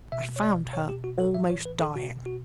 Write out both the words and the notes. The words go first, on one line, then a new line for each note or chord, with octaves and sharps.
I found her almost dying.
B2 E5
C#5
D5
B2 C#5
G4
F#4
A4
A2 E3 E5
C#5
B4
A4
B2 F#4
F#4